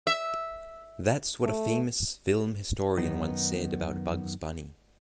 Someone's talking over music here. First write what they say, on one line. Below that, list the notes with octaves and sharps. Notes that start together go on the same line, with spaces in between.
That's what a famous film historian once said about Bugs Bunny.
E5
A3
F#2 D#3 B3 D#4